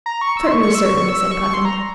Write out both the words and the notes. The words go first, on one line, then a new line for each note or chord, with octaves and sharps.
"Certainly, certainly," said Puffin.
A#5
C#6
E6
C6
C#6
C#6
E6
C#6
C#6
E6
E6
C#6
C#6
C6
A#5